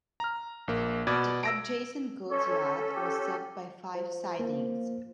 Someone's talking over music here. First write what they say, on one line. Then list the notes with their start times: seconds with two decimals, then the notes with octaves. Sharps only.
The adjacent goods yard was served by five sidings.
0.20 A#5 F6
0.68 A#1 A#3
1.07 B2 B4 D5 G#6
1.43 E6 A#6 D7
2.31 C#4 A4 C#5
2.96 G4
3.95 F3
4.39 A#3